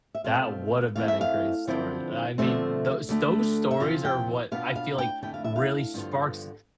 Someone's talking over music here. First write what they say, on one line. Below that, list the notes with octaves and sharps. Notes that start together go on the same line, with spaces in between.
that would have been a great story, I mean, those those stories are what I feel like really sparks
E5
B2 A3 C4 F4 F5
F2 E3 A3 C4 E4 F5
E5
F5
D3 F3 C4 E4
D3 F3 A3 C4 E5
D2 D3 A3
E5
E2 C3 F3 C4 F4 F5
G5
B2 B3 D4 F4 F5
F5
G5
F2 D3 A3 E4 G5
F5
E5
F5
G2 D3 F3 B3 F4